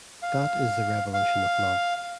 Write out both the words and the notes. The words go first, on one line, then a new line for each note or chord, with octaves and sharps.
That is the revolution of love.
F5
F5